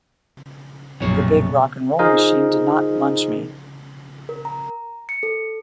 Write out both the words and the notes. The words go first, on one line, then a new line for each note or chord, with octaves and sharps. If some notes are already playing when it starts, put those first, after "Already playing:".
The big rock 'n' roll machine did not munch me.
A#1 F#2 B2 C#5
D#4 F4 G#4 A#4 C5 D#5
A#4
A#5
C#7
A4